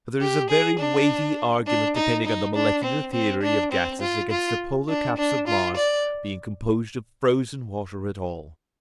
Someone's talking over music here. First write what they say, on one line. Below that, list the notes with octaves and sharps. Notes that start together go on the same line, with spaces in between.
But there is a very weighty argument depending on the molecular theory of gases against the polar caps of Mars being composed of frozen water at all.
G4
G#4
D4
D4
D#4
D#4
D4
C4
C4
D4
C4
F4
F4
D4
D4
F4
D5